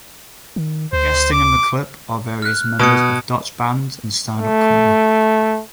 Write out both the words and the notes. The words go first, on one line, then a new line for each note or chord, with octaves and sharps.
Guesting in the clip are various members of Dutch bands and standup comedy.
D#3
D2 C5
D6
F6 F#6
B2 D#6 G#6 C#7
A3